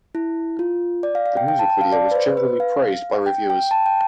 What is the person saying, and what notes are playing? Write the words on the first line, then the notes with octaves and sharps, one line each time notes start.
The music video was generally praised by reviewers.
E4
F4
D5
F5
F5
G5
G5
A5
A5
F5
D5
B4
C5
B4
F5
G5
G5
A5
G5